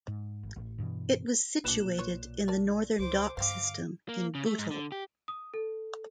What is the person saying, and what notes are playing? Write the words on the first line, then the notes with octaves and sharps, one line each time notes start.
It was situated in the northern dock system in Bootle.
G#2
G#1
A1
G2 B2 D#3 E3
B1 A#2 D4 B4 F#6 E7
F4 B4 C#5
A#4 D5 A5
C#2 C5 D6
G2 D3 C4 C5 F5 D6
A#3
C#3
A3
G#2
D3
G4
D#6
A4